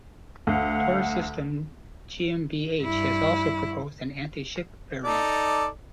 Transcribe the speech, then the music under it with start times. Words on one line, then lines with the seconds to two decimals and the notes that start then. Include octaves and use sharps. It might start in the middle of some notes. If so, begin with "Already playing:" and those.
Taurus Systems GmbH has also proposed an anti-ship variant.
0.47 D2 F5 F#5
2.80 G2 E4
5.04 D#4 A4 D5